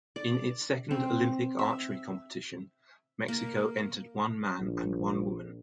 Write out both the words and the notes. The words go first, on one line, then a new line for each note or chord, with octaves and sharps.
In its second Olympic archery competition, Mexico entered one man and one woman.
D5
C4
E5
A#3
A#1